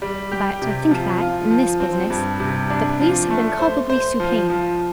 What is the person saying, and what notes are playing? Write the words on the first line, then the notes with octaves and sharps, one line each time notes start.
But I think that, in this business, the police have been culpably supine.
G3
G4
C3
F3
F4
F3
C4
G2
C3
D4
F3
A3
C5
C5
F3
F3